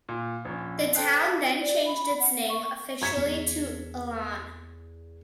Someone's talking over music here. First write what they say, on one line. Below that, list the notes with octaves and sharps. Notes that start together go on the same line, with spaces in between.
The town then changed its name officially to Elon.
A#2
A#1 C#4
A4 C5 G5 A5 F#6 C7
D5
B5
B5
F#5
C#6
C#6 G#6 B6 C#7 E7
E2